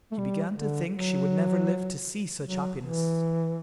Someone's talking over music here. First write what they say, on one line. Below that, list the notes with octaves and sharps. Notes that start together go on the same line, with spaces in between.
She began to think she would never live to see such happiness.
A3
G3
D3
F#3
F#3
E3